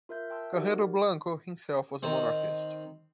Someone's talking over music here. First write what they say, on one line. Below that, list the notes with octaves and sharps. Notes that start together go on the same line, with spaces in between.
Carrero Blanco himself was a monarchist.
F4 A#4 E5 G6
E5 G5 A5 C6 E6
D#4 F#4 G4 A#4 D5 F#5
D#3 C4